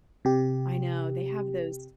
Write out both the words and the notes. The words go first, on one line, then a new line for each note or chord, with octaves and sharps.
I know, they have those
C3 G4